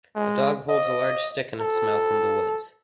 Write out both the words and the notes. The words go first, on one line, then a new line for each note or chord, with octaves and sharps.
A dog holds a large stick in its mouth in the woods.
G#3
D#5
A4